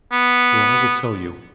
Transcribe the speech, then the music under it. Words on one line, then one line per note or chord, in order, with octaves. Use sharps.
Well, I will tell you.
B3